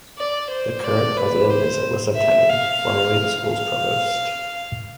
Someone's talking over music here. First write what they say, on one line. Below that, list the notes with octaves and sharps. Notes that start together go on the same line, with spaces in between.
The current president is Elissa Tenny, formerly the school's provost.
D5
C5
D5
B4
C5
E5
F5
F5